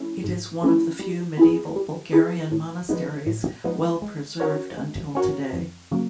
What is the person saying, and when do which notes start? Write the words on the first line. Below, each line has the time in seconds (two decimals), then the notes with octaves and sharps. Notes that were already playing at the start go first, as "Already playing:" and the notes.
It is one of the few medieval Bulgarian monasteries well preserved until today.
Already playing: F3 A3 C#4 E4
0.24 G#2
0.62 F3 A3 C#4 E4
0.99 G3
1.37 B3 E4 G#4
1.76 G3
2.13 B3 E4 G#4
2.51 A2
2.89 F3 G#3 B3 D#4
3.26 A2
3.64 F3 G#3 B3 D#4
4.02 G#3
4.40 C#4 F#4 A#4 C#5
4.77 G#3
5.15 C#4 F#4 A#4 C#5
5.53 F2
5.91 C#3 F#3 A#3